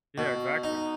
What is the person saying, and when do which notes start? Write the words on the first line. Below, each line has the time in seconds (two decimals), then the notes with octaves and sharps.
Yeah, exactly.
0.18 B2
0.64 D#4